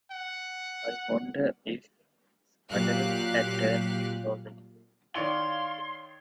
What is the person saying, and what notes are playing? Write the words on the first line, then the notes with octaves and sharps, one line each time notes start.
I wondered if Scudder had turned in already.
F#5
A#2 F#3 G4 F5 F#6
D#3 E4 C#5 D5 F5 C6